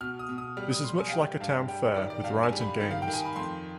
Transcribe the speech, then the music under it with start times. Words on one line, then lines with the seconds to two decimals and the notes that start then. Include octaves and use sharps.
This is much like a town fair, with rides and games.
0.01 B2 F6
0.19 D#6
0.29 B2
0.38 D#6
0.57 G3 F6
0.71 D#6
0.84 G3 C6
0.99 G#5
1.08 F5
1.13 G3 G5
1.40 G2 F5
1.68 G3 G5
1.96 D#3 D5
2.10 D5
2.24 G2 F5
2.43 G#5
2.52 G3
2.61 B5
2.80 D#3
2.91 F5
3.02 G5
3.08 D#3
3.13 G#5
3.25 B5
3.36 F2 C6